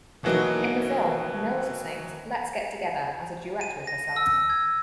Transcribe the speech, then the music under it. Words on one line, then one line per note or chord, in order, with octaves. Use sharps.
In the film, Mills sings "Let's Get Together" as a duet with herself.
B2 E3 F#3 A#3 D#4
D#7
A#6
E6
G#6